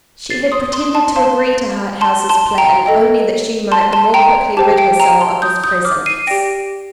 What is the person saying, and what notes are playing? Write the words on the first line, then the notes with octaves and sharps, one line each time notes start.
She had pretended to agree to Harthouse's plan only that she might the more quickly rid herself of his presence.
A6 C7
C6 D#6
C6 D#6
A5 C6
C5 F5 A5 C6
A5 C6
A5 C6
G5 A#5
A4 D#5 G5
A5 C6
A5 C6
G5 A#5
G4 C5 G5 A5
G5
G5 A#5
A5 C6
D#6 G6
D#6 G6
D6 F6
C7 D#7
G4 D5 G5 A#6 D7